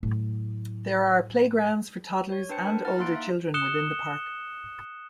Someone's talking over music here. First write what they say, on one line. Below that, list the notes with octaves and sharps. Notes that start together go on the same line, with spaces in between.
There are playgrounds for toddlers and older children within the park.
A2 F#3
C#5
D4 B4 C5 G5 A5 C#7
A#4 A5
E4 F#5 F6 A6
A#3 D#4 C6 F#6 D7
E5
D#6 F#6 C#7 E7 G7